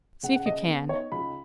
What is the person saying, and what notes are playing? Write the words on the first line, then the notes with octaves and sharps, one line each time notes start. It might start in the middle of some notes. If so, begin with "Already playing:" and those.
"See if you can."
C#3 F#5
F#5
C#3 D#5
B3
D#4 C#5
C#2 B5